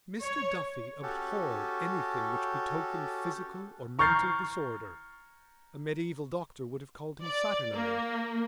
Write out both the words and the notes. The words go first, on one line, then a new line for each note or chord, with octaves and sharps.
Mr. Duffy abhorred anything which betokened physical or mental disorder. A mediaeval doctor would have called him saturnine.
C#5
C#4 F#4 G4 A4
A#5 C#6 F6 G6 A6 C7
D5
A#3